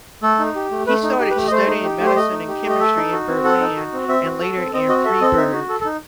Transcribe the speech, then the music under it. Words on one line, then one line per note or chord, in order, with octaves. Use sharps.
He started studying medicine and chemistry in Berlin and later in Freiburg.
A3 A4
D#4
G4
A3
A3 B4
D#4
G4
B4
A3
D#5
A3 C5
D#4
G4
A3
C5
A3 D#5
D#4
G4
A3
D#5
A4 E5
D#4
F#4
C4
A4 F#5
D#4
F#4
C4
C4 E5
F#4
A4
C4
C4 D#5
F#4 D#5
A4 E5
C4 D#5
D#4 E5
F#4
A4
A4
D#4